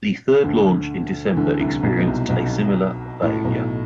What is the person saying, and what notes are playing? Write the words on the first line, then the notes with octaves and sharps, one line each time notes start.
The third launch in December experienced a similar failure.
D2 D3
E3
D2 D3
C2 C3
B1 B2
B2
C2 C3
B1 B2
A2
B1 B2